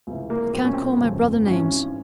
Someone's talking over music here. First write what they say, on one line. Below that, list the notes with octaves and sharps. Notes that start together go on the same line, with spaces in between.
"You can't call my brother names."
C#2 C3 E3
A#3
B1 A#2 C4
C#4
C4
G1 F2 C#3
G#1 G#2 E3 C#4